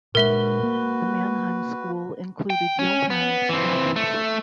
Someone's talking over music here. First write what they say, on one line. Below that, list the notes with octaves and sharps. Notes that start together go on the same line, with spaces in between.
The Mannheim school included Johann Stamitz.
A#2 G#3 F#4 A#4 B4 E5 G7
A#3
G5
C#4
B3
E3 C4
A3